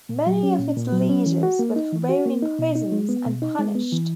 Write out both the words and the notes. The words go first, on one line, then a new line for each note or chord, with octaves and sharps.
Many of its leaders were thrown in prisons and punished.
A#2
F#3
C#4
A#2
A#2
F#3
C#4
E3
F#4
A#3
D#4
E3
F#4
A#3
D#4
B2
D#4
G#3
B3
B2
D#4
G#3
B3
E3